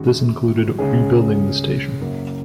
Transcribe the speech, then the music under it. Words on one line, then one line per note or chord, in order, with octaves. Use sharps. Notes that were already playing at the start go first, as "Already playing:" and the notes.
This included rebuilding the station.
Already playing: F#2 D#3 G#3 F#4
C#2 C#3 G#3 C#4 G#4
F#1 F#2 F#3 A#3